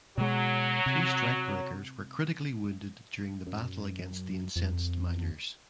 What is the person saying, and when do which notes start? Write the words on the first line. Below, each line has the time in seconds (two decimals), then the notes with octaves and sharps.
Two strikebreakers were critically wounded during the battle against the incensed miners.
0.18 B2 F#3 G#3
0.86 C3
3.47 F#2
4.56 F2